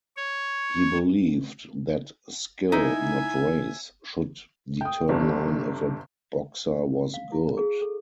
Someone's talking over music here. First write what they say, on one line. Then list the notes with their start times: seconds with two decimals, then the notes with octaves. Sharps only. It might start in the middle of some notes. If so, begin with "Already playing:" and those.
He believed that skill, not race, should determine if a boxer was good.
0.17 C#5
2.72 D#4 E4 E5 G#5
4.81 G5 D#6
5.09 G1 C3 D4
7.14 F5
7.32 E4
7.57 G#4
7.82 A4